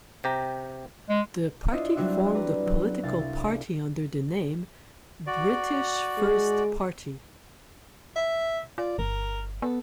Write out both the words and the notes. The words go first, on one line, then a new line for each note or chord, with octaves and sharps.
The party formed a political party under the name British First Party.
C3 G4 A#5
G#3
D4 E4 F4 C5 D#5
F#3 G3 C4 D4 F#4 E5
B4 D5 A#5
F#3
C2 E4 F5 A6
F#4 D5
G#3
E5
F4 D5
G1 A#4
B3 A4